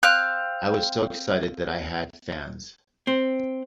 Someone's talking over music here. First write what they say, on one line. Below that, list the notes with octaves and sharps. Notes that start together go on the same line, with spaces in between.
I was so excited that I had fans!
C4 F5 F6 F#6
C4